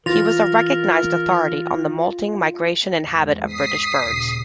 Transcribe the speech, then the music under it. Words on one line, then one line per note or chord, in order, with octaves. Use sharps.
He was a recognised authority on the moulting, migration, and habit of British birds.
E3 F4 A#4 A6 A#6 F7
E2 G#2
D#6 B6 C7
D#2 A#2 C#3